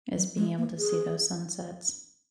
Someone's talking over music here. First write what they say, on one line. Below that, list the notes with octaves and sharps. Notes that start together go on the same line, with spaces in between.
is being able to see those sunsets.
F#3
G#3
A#3
G#4